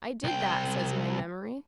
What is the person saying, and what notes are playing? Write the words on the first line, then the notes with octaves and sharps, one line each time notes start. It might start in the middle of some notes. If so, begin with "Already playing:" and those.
"I did that," says my memory.
C2 G5